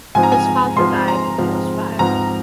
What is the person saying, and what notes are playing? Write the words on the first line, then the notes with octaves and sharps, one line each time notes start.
His father died when he was five.
G#2 F3 C4 G#5
A#5
G#5
G#2 F3 C4 C6
A#5
G#2 F3 C4
G#2 F3 C4 A#5